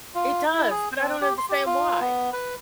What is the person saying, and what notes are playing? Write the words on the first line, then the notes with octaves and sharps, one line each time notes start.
It does, but I don't understand why.
F4
E4
G#4
C4
G4
C6
G4
F4
B3
B4